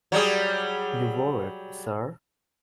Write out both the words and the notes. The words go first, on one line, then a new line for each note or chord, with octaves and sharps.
You wore it, sir?
F#3 G3 G#4